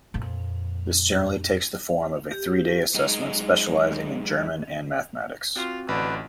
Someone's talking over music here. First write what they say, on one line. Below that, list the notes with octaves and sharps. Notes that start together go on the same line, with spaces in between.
This generally takes the form of a three-day assessment specializing in German and Mathematics.
F2 A#2
G4
F#2 G#3 D#4
C4 F4 F#4
A1 D3 B4